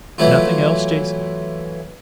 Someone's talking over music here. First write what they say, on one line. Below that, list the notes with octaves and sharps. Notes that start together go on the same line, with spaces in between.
"Nothing else, Jason?"
E3 F#3 A3 E4 F4